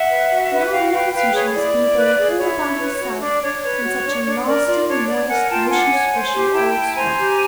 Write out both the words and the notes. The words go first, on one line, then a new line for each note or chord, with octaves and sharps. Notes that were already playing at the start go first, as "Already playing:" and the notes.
And how lonesome she must be there all by herself in such a nasty, moist, mushy-squshy old swamp!
Already playing: E5 F#5
B4
F#4
B4
F#4 F5 G5
B4 F5 G5
B4 F5 G5
G#4 C#5
E4 D5
E4
B4
G#4
E4 C#5
E4
B4
F#4
D4 D5
D4 C#5
B4 C#5
F#4
D4
D4
A#4 D5
F4 D5
D4 C#5
C#5 D5
A#4 F#5 G#5
F4 G5 A5
D4 F#5 G#5
C#5
C5
G4
E4 G5 A5
E4
C5 G#5 A#5
G4